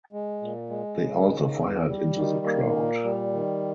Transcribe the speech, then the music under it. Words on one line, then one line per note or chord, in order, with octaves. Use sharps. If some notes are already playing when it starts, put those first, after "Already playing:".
They also fired into the crowd.
G#3
A#2
G#3
C#3
D#3
E2
G3
D#3
A#3
A#2
G3
D#3